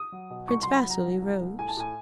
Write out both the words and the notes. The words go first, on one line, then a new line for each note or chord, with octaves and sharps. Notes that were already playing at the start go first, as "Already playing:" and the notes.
Prince Vasili rose.
Already playing: D#6
F#3
B2
C2 C#6
F#3 C6
B5
F#3
A#5
C2
C2
C2
A2 G#5
A5
A2 G#5